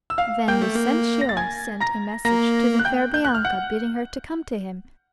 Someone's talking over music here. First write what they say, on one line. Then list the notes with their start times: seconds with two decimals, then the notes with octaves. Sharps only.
Then Lucentio sent a message to the fair Bianca bidding her to come to him.
0.10 E6
0.18 F5 F6
0.48 A#3 G5 G6
0.61 A3
0.75 A#3
1.21 A#6
1.29 A6
1.37 G#5 G#6
1.80 A#5 A#6
2.25 A#3 A#5 A#6
2.79 F#6
2.85 G5 G6
3.14 G6
3.25 F#6
3.35 F6
3.44 F#5 F#6